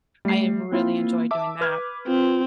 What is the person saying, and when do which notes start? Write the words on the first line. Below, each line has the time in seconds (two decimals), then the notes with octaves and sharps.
I really enjoy doing that,
0.25 G3 A3 C7
0.72 A#3 C4 E4 F4
1.31 E5 A5 D6
1.61 B4 D6 F6 G#6
2.07 C4 F4